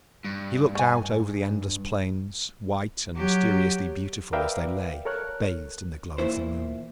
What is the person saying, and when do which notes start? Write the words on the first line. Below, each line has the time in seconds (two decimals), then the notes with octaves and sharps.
He looked out over the endless plains, white and mysteriously beautiful as they lay bathed in the glow of the moon.
0.25 G2
0.75 A3 G#5
3.15 F#3 G4
4.33 A#4 B4 D5 E5 F5 G5
5.05 A4 A#4 C#5 F6 F#6
6.18 A#2 E3 F3 A#3 E4 C5